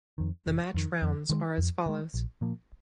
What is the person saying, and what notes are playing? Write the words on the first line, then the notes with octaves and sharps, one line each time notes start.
The match rounds are as follows.
F2 D#3
F1
F2 D#3
F2
D#3 G#3
F2
D#3 G#3
A#1
A#2 F3 A#3